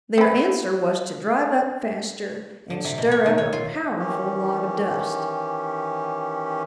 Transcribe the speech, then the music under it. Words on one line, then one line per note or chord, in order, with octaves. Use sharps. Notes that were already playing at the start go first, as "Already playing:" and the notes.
Their answer was to drive up faster and stir up a powerful lot of dust.
C4 B4
D3
C3
B2
C#5
D#3
C#5
F4
D#3 E3 C#4 G4